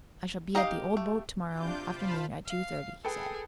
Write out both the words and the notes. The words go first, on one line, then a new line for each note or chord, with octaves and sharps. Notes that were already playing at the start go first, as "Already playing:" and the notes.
"I shall be at the old boat tomorrow afternoon at two-thirty," he said.
D#4 G4 D#5 F5 A#5
A3
C3 D4 F4 D6 G6
F4 C5 F5 A5 B5
F5
G#4 A4 B4 G5